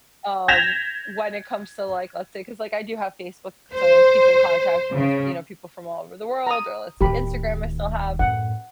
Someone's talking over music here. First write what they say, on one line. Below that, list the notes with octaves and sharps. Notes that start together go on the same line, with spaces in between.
um, when it comes to, like, let's say 'cause, like, I do have Facebook to keep in contact with, you know, people from all over the world, or let's say, Instagram, I still have.
G6 G#6 A#6 B6 E7 F7
C5
C#3
A#5 D#6
D1 D#3 G4 B5
F#2 A2 F#5